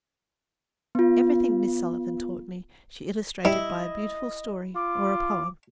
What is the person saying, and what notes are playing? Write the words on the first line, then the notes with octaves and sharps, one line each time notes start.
Everything Miss Sullivan taught me she illustrated by a beautiful story or a poem.
B3 F4
G3 E4 D#5
F4 D6